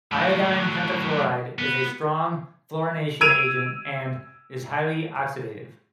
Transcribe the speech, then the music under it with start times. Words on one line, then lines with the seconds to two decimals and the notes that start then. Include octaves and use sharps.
Iodine pentafluoride is a strong fluorination agent and is highly oxidative.
0.12 A2 F#3
1.59 B3
3.21 E6 G#6 D7 D#7 F7